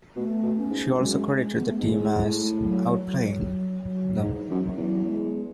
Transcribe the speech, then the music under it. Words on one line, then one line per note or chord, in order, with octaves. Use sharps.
She also credited the team as "out playing" them.
B2 A3
B2
C#4
G#2
F#2 G#3
B3
A3
G#2 G#3
A2
F#3
F#3
F#3
F#3
G#2 E3
F#2 F#3
E2 F#3
G#3